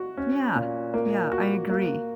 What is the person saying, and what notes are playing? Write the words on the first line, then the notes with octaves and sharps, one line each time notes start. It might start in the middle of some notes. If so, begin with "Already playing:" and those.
Yeah. Yeah, I agree.
Already playing: F#4
C#4
A#2
A#3
F#4
A#3